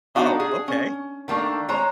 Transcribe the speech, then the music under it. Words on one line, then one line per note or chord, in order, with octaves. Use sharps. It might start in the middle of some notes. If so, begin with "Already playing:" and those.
Oh, okay.
B3 D4 D#4 F#4 F5
G#4
C#4
D#3 A3 A#3 D4
G#3 C5 C#5 A#5